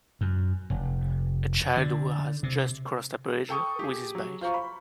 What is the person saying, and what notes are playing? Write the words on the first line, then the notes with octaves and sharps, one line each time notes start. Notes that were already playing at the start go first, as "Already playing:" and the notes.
A child who has just crossed a bridge with his bike.
F#2
F1
D3
C3
A4 G5 C#6 D#6
G4 G#4
F#3
F4 C5 A#5 C#6
B5